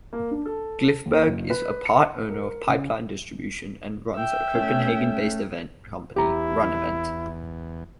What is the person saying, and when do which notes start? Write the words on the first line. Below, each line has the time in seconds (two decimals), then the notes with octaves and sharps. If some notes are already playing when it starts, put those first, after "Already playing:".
Glifberg is a part-owner of Pipeline Distribution and runs a Copenhagen-based event company "RunEvent".
0.13 A#3
0.31 D4
0.46 A4
1.06 D#2
1.26 F#1
1.50 B4
1.85 C#7
2.29 A#4
2.67 C#3
4.14 E5 G5
4.55 A3 C#4
6.16 E2 E4 G4 A#5